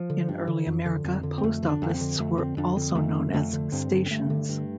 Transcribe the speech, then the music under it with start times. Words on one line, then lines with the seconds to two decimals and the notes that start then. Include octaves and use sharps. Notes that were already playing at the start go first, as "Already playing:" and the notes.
In early America, post offices were also known as "stations".
Already playing: F3
0.10 D3
0.29 G2
0.48 D3
0.67 F2
0.86 D3
1.04 F2
1.23 D3
1.38 C4
1.43 F2 A3
1.62 D3
1.69 D4
1.82 F2
1.89 A3
1.94 C4
2.01 D3
2.19 F2 A3
2.38 D3 C4
2.57 F2 D4
2.76 D3 C4
2.95 F2 A3
3.15 D3
3.33 F2 A3
3.53 D3
3.72 G2 C4
3.91 D3
4.06 C4
4.11 G2 A3
4.30 D3
4.49 G2